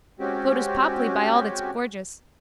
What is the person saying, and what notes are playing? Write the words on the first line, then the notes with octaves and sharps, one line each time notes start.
Photo's papli, by all that's gorgeous.
G#3 C4 C#4 F#4 G4